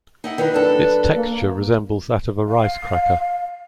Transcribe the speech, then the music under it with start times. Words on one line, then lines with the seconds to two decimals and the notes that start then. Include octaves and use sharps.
Its texture resembles that of a rice cracker.
0.24 D#4 E4 F#5
0.38 D#3 D#4 E4 B4
0.53 F#2 D4 A4
1.14 A#3
2.48 F5